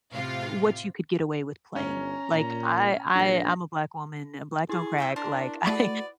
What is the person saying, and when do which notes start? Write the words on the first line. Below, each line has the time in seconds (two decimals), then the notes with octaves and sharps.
w what you could get away with playing, like, I I I'm a black woman, and black don't crack, like, I
0.13 A2 C3 F4 F5
1.76 G1 C#4 A#5
2.34 A#2
3.15 A#1 D4 A#6
4.69 E4 G#4 C#6
4.98 E5 G5 G#5
5.16 D4 A#4 C5 A5
5.67 A3 F#4 B4 D5 D#6